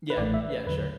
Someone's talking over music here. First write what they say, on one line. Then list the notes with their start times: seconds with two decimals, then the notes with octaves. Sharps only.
Yeah, yeah, sure.
0.10 B4
0.17 A1 A2 E3 A3 D5
0.34 E5
0.50 B4
0.67 E2 D3 F#3 B4